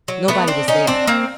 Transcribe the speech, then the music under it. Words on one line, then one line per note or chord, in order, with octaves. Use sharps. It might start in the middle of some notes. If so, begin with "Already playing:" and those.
Nobody was there.
F#3
A3 B3
C4 D4
C#4 D#4
C4 D4
A#3 C4